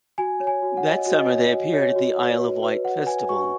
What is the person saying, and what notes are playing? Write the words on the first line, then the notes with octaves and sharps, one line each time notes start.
That summer they appeared at the Isle of Wight Festival.
F#4 G#5
C#5
G#5
F#4
F#5
C#5
D#5
F#4
D#5
C#5
F#4
C#5
F#4
B4
F#4
B4
F#4 F#5
B4 G#5
F#4 C#6